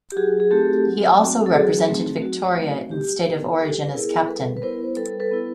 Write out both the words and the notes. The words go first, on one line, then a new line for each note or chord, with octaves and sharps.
He also represented Victoria in State of Origin as captain.
G4
F#3 F#4 G#4
G#4
A3 C4 D#4 F#4 G4 A4
F#3
A3 C4 D#4 F#4
A4
F#3 F#4 G#4
A3 C4 D#4 F#4
F#3 F#4
A3 C4 D#4 F#4
G3 G4
B3 E4
G3 G4 A4
B4
B3 E4 G#4 A#4
G3 A4 B4
B4
B3 E4 A#4 C5
G3 A4 B4
A4 B4
B3 E4